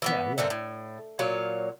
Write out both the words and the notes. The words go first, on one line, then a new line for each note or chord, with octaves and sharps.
Yeah, yeah.
E3 A#3 B3
D3 A3 C4 A#4
A2
A#2 F#3 C#5 F5